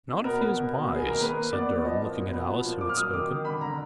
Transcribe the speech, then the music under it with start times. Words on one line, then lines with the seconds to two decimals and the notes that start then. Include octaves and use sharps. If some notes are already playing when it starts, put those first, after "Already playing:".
"Not if he is wise," said Durham, looking at Alice, who had spoken.
0.09 B2
0.24 B3 A#4
0.40 B3
0.57 B2
0.73 B3
0.89 A#3
0.94 G#4
1.05 D#3 A#4
1.21 A#3 B4
1.37 A#3
1.52 B3 D5
1.69 B3
1.85 F3 D#5
2.01 A#2
2.17 B2
2.33 B3
2.49 F3
2.65 A#2
2.81 F#3 D6
2.89 F6
2.97 F#3 D#6
3.13 D#3 D6
3.29 D#3
3.45 D3 B5
3.61 D3 A#5